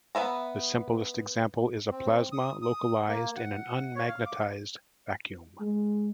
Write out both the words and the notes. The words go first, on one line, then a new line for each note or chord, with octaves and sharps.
The simplest example is a plasma localized in an unmagnetized vacuum.
B3 B4 E5 A#5
C4
D#6
D#6
A#3
F#5
C#5
F5
D6
G#3